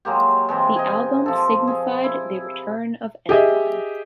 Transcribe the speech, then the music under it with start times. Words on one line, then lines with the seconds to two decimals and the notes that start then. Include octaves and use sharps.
The album signified the return of Anyone.
0.05 F#3 G#3 A#3 G4
0.49 C3 E3 G#3
0.76 D#5 G#5
1.26 F3 A4
1.67 G#4
2.04 E4
3.29 G4 G#4 D#5 E5